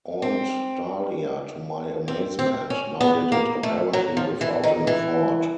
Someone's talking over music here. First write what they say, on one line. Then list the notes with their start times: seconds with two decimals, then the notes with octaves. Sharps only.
Aunt Dahlia, to my amazement, now did it apparently without an effort.
0.22 C4
2.08 C4
2.39 C4
2.70 C#4
3.01 B3
3.32 A#3
3.63 A3
3.93 F#3
4.17 F3
4.41 E3
4.64 D#3
4.87 E3